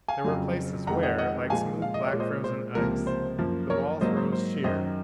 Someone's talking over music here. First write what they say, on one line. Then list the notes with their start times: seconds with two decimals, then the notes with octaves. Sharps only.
There were places where, like smooth black frozen ice, the walls rose sheer.
0.08 F5 G#5
0.25 F2 C#3 F#3
0.87 F2 D#3 G#3 F#5 A#5
1.03 D#5 F#5
1.18 D#5 F#5
1.50 A#2 F3 G#3 F5 G#5
1.82 F5
1.94 D#5
2.07 C#5
2.13 A#2 G#3
2.20 C5 D#5
2.44 C5
2.75 C#2 C3 F3 A#3 A#4
3.07 C5
3.39 F#2 F3 A#3
3.70 A#4 C#5
4.01 G#2 F#3 A#3 C5 D#5
4.17 C5
4.32 C5
4.64 F#2 D#3 F#3 C5 D#5